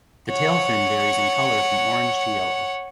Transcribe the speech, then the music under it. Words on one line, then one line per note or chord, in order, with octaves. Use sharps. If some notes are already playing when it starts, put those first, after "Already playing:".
The tail fin varies in colour from orange to yellow.
C#5 F#5